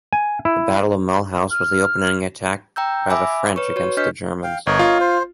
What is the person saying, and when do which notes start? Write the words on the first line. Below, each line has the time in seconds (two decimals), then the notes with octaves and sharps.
The Battle of Mulhouse was the opening attack by the French against the Germans.
0.13 G#5
0.45 E4
1.51 F6
2.76 G5 A#5 E6 G6
3.10 E5 G#5 B5 D6 E6
3.56 B4 C#5 C#6
3.76 F#4 B4 C#5
3.97 D4 D#5 C#6 F6 G6 B6
4.44 F5 G5
4.67 G1 A#4 C#5 D#5
4.79 F4
5.00 C5